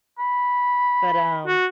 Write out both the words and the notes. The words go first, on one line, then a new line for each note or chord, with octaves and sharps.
but, um
B5
F#4